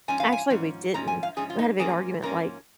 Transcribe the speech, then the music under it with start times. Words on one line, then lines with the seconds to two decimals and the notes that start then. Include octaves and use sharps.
Actually, we didn't. We had a big argument, like,
0.08 G#2 F3 C#4 G#5
0.20 F5
0.32 G#5
0.50 G#2 F3 C#4
0.94 G#2 F3 C#4 A#5
1.07 G#5
1.23 F5
1.36 G#2 F3 C#4 G#4
1.50 F4
1.59 D#4
1.79 G#2 F3 A#3 C#4 G#4
2.22 G#2 F3 A#3 C#4 A#4